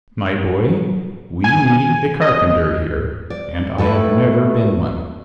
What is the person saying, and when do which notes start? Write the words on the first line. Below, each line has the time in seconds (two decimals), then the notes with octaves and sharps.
"My boy, we need a carpenter here and I have never been one."
1.44 G#5
2.22 D#5
3.30 D5
3.78 A2 A3 A4 B4